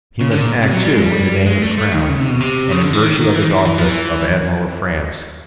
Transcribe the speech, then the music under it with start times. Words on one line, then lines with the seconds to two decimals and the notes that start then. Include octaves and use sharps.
He must act, too, in the name of the Crown, and in virtue of his office of Admiral of France.
0.21 C#3
0.31 D3
0.41 A#2
0.63 C3
0.73 F#3
0.83 G3
0.93 G#3
1.03 G3
1.46 G#3
1.62 A3
1.78 A3
1.94 D#3
2.09 C#3
2.20 C3
2.30 B2
2.40 C3
2.72 C#3
2.82 D3
2.93 E3
3.03 D#3
3.19 D#3
3.35 E3
3.44 D#3
3.50 E3
3.66 E3
3.78 F3
3.88 E3